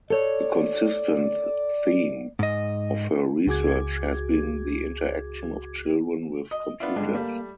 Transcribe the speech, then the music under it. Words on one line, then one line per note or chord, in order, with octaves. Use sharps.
A consistent theme of her research has been the interaction of children with computers.
A4 C#5 D5
G#2 D#5
C#2 F#4 G#4 D6 G#6
D#5
B3 D4 F4 E5
G2 D3 G#3
G3 A3 A#3